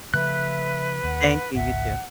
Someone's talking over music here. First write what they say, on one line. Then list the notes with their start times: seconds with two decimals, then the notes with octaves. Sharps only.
Thank you, you too.
0.14 C#3 F3 A3 B4 E5 F#6
1.04 D#2 F#5
1.55 G#1 C#2 E5 F#5